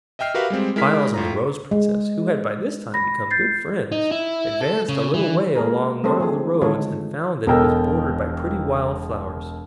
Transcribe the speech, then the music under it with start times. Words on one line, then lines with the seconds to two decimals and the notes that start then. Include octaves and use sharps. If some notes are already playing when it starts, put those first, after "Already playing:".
Files and the Rose Princess, who had by this time become good friends, advanced a little way along one of the roads and found that it was bordered by pretty wild flowers.
0.19 D#5 E5 G5 F6 C7
0.34 F#4 G4 A#4 B4 E5 F5
0.50 G3 G#3 C4
0.76 G#3 E4 A#4 F6 B6
1.14 A2 F4 A#5
1.71 G#3
2.94 B5 A#6
3.31 G6 A6 C7
3.92 D#4
4.11 E4
4.61 A4
4.89 C#3
5.14 E3
5.55 G#3 A#3 G#4 A#4
6.03 G3 A3 C4 A4 C5
6.20 F3 G#4
6.62 D3 D#3 G#3 F4 A4 C#5
7.46 E1 B2 A4 A#4 G5 E6